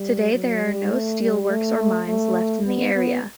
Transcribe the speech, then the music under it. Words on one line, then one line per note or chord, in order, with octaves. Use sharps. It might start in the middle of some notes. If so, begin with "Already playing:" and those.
Today there are no steelworks or mines left in the area.
Already playing: G3
F#3
G3
A3
G3
A3
A3
B3
B3